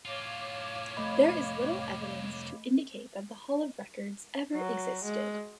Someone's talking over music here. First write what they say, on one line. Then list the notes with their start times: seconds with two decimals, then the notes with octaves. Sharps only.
There is little evidence to indicate that the Hall of Records ever existed.
0.05 A2 F4 C#5 F5 D6
0.97 C2 F2 A3 D#5 B5
4.54 F#3
5.04 G#3